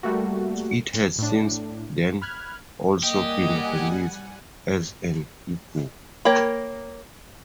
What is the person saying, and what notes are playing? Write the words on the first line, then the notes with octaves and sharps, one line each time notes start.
It has since then also been released as an ebook.
G3 A3 A#3 F#4
A2 D4
B5 F6 F#6 G#6
G3 A#3 G4 D#5 F#5 G#5
A#3 A#4 C#5 G5 B5